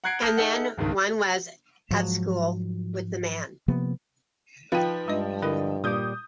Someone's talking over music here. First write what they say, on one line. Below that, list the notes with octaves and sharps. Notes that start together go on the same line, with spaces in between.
And then one was at school with the man.
F#5 A#5 F#6 G#6 C7 D7
A5 D#6 F6 G6 A#6
D#4 G#4 A4 E5 F#5
G#1 C#2 G2 D#3
G#2 F3 F#3
C3 F3 A#3 B3
F3 D#4 B4 F5 G5
G2 G#3 D4 D#5
D3 E4 A#4 D#5
A#2 G3 D6 D#6 G6